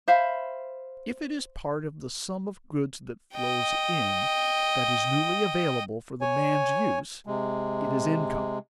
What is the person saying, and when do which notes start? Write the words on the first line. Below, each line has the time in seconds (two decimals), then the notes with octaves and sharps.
If it is part of the sum of goods that flows in, that is newly available for the man's use, it is income.
0.08 C5 E5 F5 B5
3.34 D#5 G5
6.21 C#5 G#5
7.27 C3 G#3